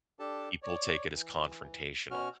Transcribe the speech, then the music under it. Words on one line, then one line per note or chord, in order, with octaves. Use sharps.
people take it as confrontational,
D4 G4 A4 A5
C#5 D5
E3
B2 C#4 F#4 F6